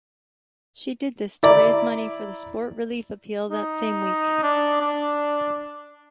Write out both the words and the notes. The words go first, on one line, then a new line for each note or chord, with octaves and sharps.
She did this to raise money for the Sport Relief appeal that same week.
E4 D5 A#5 D6
D#4
D4
D4